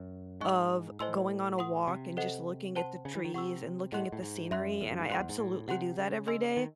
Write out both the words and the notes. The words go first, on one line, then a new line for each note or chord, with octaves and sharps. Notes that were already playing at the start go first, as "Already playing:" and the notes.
of going on a walk and just looking at the trees and looking at the scenery, and I absolutely do that every day.
Already playing: F#2
G#2 D#5 G#5 C#6 F#6
A2 C5 D#5 G#5 C6 E6
F#5 C6 D#6
C3
A4 C5 D#5 F#5
C5 F#5 A5 C6
C#3
E3
D#3
C3 F#5 C#6 E6
A2 G#4 D#5 F#5 C6 F#6
A2
G#2
F#2 E5 C6 F#6
E2
F#2
G#2
G#2 F#5 C6 F#6
E2
G#2
A2
C3 F#5 C6 F#6
C#3
D#5 G#5 C6 E6
D#3